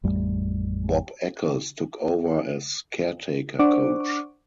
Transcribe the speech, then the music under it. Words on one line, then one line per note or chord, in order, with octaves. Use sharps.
Bob Eccles took over as caretaker coach.
A1 F2 G3 A3
D4 C5 D5 F#5 C#6 D6